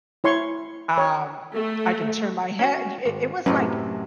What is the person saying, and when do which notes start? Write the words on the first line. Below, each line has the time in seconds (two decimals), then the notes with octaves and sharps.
Um, I can turn my hea y i it was like
0.24 E4 C#5 C6 C#6
0.98 C#5
1.54 A3
2.59 C#4 F#4
3.05 G#1
3.46 F#2 A2 C3 F#3 C#4 B4